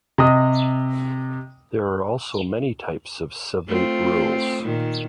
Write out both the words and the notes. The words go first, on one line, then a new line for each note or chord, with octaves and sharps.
There are also many types of savate rules.
C3 D#5 D#6
A3 C4 F4
A#2 D#3